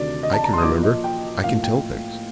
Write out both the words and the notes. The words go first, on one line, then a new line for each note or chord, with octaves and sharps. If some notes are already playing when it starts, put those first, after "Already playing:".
I can remember; I can tell things!
Already playing: D2 C3 D#3 D5
D#5
A5
A#5
C6
D#6
A#2 F3 A#3 D6
D#5
G5
A2 F3 A#3 F5
G5